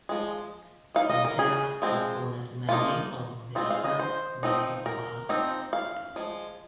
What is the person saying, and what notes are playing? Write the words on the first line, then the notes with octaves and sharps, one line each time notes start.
Santerre was born at Magny-en-Vexin, near Pontoise.
F3 G#3
G#3 D#4 F5
D#5
A#4
G#4
F3 G#3 C4
F3 A#3 D#4 F4
G#3 C4 D#4 F4
F5
D#5
C5
F3 C4 D#4
A#4
F3 C4 D#4
F5
F3 G#3